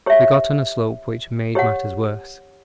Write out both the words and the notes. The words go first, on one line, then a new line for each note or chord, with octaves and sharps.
We got on a slope which made matters worse.
G4 C#5 E5
G4 C#5 F#5